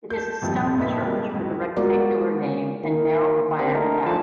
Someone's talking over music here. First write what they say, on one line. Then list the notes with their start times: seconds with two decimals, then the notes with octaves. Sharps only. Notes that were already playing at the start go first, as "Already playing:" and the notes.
It is a stone church with a rectangular nave and narrow choir and apse.
0.10 A5 G6
0.42 C2 F2 A#2 F3 G3 A3
0.78 F2 A#2 D#4 B4 E5 B6
1.02 F2 G3 G#3 A#3
1.34 C#2 F#3
1.77 G#3 B3 F4 F#4 A#4 D5
2.84 D#3 A#3
3.59 A#3 C4 G4 D5
3.75 A3 D4 D#4 A#4
4.07 F3 A3 D4 F4 A5